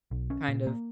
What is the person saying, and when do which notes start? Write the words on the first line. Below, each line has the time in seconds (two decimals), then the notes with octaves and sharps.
kind of
0.11 B1
0.30 C#4
0.48 A#2
0.67 A#3